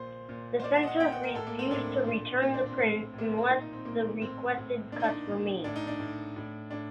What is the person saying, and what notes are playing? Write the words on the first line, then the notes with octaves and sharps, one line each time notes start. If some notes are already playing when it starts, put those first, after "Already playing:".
The censors refused to return the print unless the requested cuts were made.
Already playing: A#2 C5
A#2
C5
A#2 D5
F#5
D#5
F#5
A#2 G5
F#5
A#4
A2 A4
A#3
C4
A2 D4
A#2
A#2 C4
D4
C4
A2
A2 A#3
C4
C4
A#2 D#4
D#4
C4
A#2 A#3
A2 C4
A2
A#2 D4
D#4
D4
A#2
A2 D4
D#4
D4
A2
A2
A2 D4